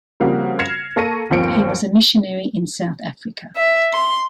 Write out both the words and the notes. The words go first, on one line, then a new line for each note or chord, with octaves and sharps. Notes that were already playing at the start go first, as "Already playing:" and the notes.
He was a missionary in South Africa.
C#3 F3 G3 A#3 C4 F#4
F6 G#6 A#6 C7 C#7 E7
A#3 A4 C#6 A#6 C#7 D#7
G1 D#2 F3 C4 C#7 D7
E5
C6